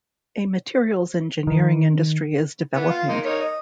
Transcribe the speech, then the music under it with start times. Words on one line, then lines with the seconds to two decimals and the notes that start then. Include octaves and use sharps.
A materials engineering industry is developing.
1.47 D#3
2.75 E3 B3
2.89 F4
3.09 A#3 D#4 C6
3.25 D#4 A#4 C#5
3.40 D#5